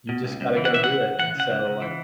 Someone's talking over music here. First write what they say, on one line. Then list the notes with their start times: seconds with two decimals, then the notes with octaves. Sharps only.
you just gotta go do it, and so, like,
0.09 B2
0.25 C#2
0.41 C#2
0.57 E3
0.65 F#5
0.72 C#3 E5
0.84 C#2 F#5
1.03 C#2
1.19 E3 F#5
1.35 C#3 F#5
1.51 C#2
1.66 C#2
1.82 E3